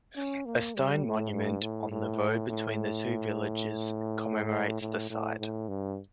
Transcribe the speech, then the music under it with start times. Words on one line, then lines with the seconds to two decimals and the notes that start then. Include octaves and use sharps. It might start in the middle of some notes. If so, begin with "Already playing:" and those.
A stone monument on the road between the two villages commemorates the site.
0.16 C#4
0.46 A#3
0.75 G3
1.04 A2
1.33 G2
1.62 A2
1.91 A2
2.49 A2
4.81 A2
5.10 A2
5.39 A2
5.68 G2